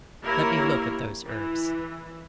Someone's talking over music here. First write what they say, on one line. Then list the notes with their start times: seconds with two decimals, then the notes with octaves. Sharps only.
Let me look at those herbs.
0.24 A#3 E4 G4 A#4 C#5
1.27 E3